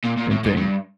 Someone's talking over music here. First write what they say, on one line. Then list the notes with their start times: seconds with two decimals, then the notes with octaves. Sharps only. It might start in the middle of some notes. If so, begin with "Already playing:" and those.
and think
0.05 A#2
0.18 A#2
0.31 A2
0.44 G#2
0.57 G2